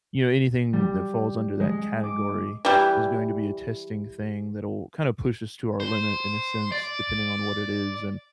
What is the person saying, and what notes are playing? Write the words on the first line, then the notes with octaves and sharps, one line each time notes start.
you know, anything that falls under that category is going to be a testing thing that'll kinda push us to our limit in a sense, depending on what it is, and
G3
G#3
D6
E3 G3
C5
D5